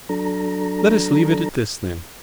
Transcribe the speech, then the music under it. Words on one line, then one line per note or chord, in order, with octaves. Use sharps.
Let us leave it at this then.
F#3 D4 A4 A#5